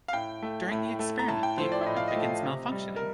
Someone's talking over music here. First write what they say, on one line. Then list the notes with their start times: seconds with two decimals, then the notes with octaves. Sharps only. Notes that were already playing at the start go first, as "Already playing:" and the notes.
During the experiment the equipment begins malfunctioning.
0.08 F5
0.13 A2 G5
0.42 A3
0.71 A2
0.99 A3
1.19 A#5
1.28 A2 A5
1.43 G5
1.57 F3 A3 C5
1.72 D5
1.86 A2 D#5
1.96 F5
2.08 D#5
2.15 F3 A3
2.43 C3
2.72 G3
2.96 A#4